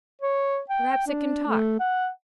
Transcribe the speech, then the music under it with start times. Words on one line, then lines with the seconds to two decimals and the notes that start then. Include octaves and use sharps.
"Perhaps it can talk."
0.22 C#5
0.69 G5
1.07 D4
1.47 A3
1.79 F#5